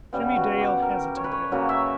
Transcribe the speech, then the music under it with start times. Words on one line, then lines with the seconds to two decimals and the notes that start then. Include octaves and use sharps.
Jimmie Dale hesitated.
0.13 C#3 G3 B3
0.36 F#4
0.60 G4
0.82 A#4
1.17 C#5
1.24 B4
1.32 C#5
1.52 C#3 F#3 A#3
1.69 E5